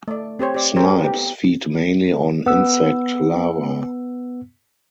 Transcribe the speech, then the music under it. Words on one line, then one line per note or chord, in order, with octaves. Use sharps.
Snipes feed mainly on insect larva.
A3 D5
C4 G4 C5 C#5
G4 D5
G4 A4 A#4 C5 C#5
B3 G4
B3 E6